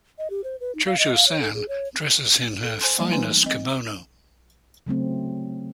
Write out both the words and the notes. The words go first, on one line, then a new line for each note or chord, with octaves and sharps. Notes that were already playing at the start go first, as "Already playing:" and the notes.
Cho-Cho-San dresses in her finest kimono.
D#5
G4
C5
B4
D#4
F5
D#5
F5
C#5
A4
G#4
C#5
A4
C5 G#5 A5 C6
F#3 G3 A#3 C5
E3 A3 D#4 B4 G#5 C6
C4 D#5
C#3 F#3 A3 C4